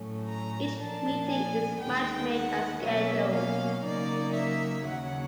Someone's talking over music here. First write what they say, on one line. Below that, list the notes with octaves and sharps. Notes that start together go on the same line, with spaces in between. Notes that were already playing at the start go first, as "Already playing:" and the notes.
Each meeting is match-made and scheduled.
Already playing: A2 F#3 A3 C#4
A#5
A#2 F3 A#3 D4 A5
G#5
D#2 D#3 G#3 B3 G5
F#5
B2 F#3 A#3 C#4 E5
F5
C#3 F#3 A#3 D#4 D5
E5
D#2 C#3 F#3 F#5